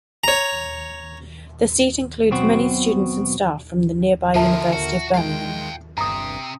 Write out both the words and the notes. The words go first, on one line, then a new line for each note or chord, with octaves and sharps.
The seat includes many students and staff from the nearby University of Birmingham.
C#5 A#5
B1 B2 C4 F#4
D#2 D3 F3 G#3 F4 A#4 E5 A5
F#4
D#3 G#3 F5 G5
G1 G2 C3 A#5 D#6